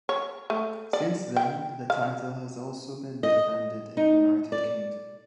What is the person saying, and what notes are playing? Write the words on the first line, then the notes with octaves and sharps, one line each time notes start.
Since then, the title has also been defended in the United Kingdom.
C#5
A3
D5
G5
F5
D#5
D#4
D5